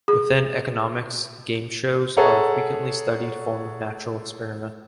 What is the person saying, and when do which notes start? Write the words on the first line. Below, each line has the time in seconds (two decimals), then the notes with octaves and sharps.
Within economics, game shows are a frequently studied form of natural experiment.
0.08 G#4
2.17 G#4 A4 C#5 E5 F#5 A#5